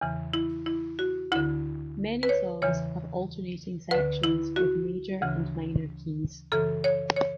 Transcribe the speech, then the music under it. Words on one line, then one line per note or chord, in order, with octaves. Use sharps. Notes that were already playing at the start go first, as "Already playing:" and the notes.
Many songs have alternating sections with major and minor keys.
E2 C#3 E3
E4
E4
F#4
D2 D3 E4
B4
C#5
E2 C#3 E3 C#5
D2 D3 B4
E4
F#4
D2 C#3 E3
F#2 C#3 E3 A4
C#5
C#5